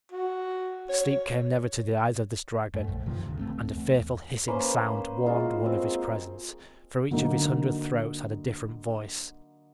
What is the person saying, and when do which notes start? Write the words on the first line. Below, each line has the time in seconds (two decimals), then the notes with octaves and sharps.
Sleep came never to the eyes of this dragon and a fearful hissing sound warned one of his presence, for each of his hundred throats had a different voice.
0.12 F#4
0.90 C#5
2.74 F#2 A3
2.87 A#1
3.06 G2 C3 D#3 F3
3.21 D2
3.39 C#2 A3 C4
3.75 E2
4.48 A#3 C#4 B4 C5
5.26 G#3 F4 F#4
5.66 C4
7.11 D3 F#3 A#3 D#4